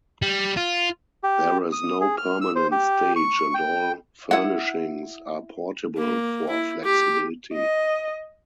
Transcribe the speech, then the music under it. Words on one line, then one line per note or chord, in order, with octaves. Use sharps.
There is no permanent stage and all furnishings are portable for flexibility.
G3
F4
G4
D#6
G#4
F6
E6
C5
G4
C#6
G5
E4 F#5
A#3
E4
G4
D#5